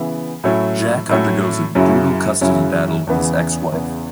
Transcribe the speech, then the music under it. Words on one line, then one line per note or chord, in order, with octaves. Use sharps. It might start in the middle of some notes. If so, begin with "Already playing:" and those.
Jack undergoes a brutal custody battle with his ex-wife.
Already playing: C#3 E3 B3 E4
A2 F#3 A3 C#4 E4
A2 F#3 A3 C#4 E4
F#2 C#3 F#3 C#4 E4
F#2 C#3 F#3 C#4 E4
E2 C#3 E3 B3
E2 C#3 E3 B3